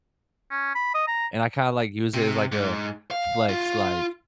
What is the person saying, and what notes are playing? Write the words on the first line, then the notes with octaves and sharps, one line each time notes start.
and I kinda, like, use it as, like, a flex, like,
C#4
B5
D#5
A#5
C3
G#2
F5
F4